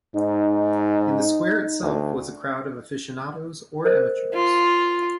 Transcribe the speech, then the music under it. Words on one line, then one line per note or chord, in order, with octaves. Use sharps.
In the square itself was a crowd of aficionados or amateurs.
G#2 D#4
D2
A#4 C5 D#5
F4